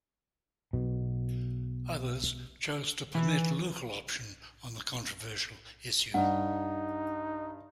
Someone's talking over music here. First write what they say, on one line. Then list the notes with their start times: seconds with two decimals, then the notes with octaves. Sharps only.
Others chose to permit local option on the controversial issue.
0.73 B1 B2
3.15 E3
6.14 G2 D#4 F#5